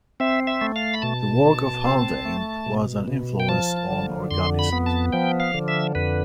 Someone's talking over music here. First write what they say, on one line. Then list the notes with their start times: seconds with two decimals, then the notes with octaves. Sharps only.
The work of Haldane was an influence on organicism.
0.20 C4 E5
0.47 E5
0.61 A3
0.76 F5
0.94 B5
1.02 B2 A5
1.44 B2
1.85 C4
2.25 A3
2.66 B2
3.08 B2
3.40 G5
3.49 F3 A5
3.90 D3
4.31 F2 C6
4.59 B5
4.73 B3
4.86 A5
5.12 F3 G5
5.40 F5
5.54 D3
5.68 E5
5.95 F2 B4